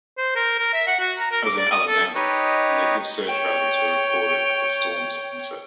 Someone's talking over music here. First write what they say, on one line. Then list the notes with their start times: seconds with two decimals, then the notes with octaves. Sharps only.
As in Alabama, negative surge values were recorded at the storm's onset.
0.18 C5
0.36 A#4
0.59 A#4
0.74 E5
0.87 F#5
1.00 F#4
1.19 A#5
1.31 A#4
1.45 D6
1.58 D5
1.71 D#6
1.87 A4
2.15 D#4 G4 B4 C#5 D#5
3.24 C#5 G5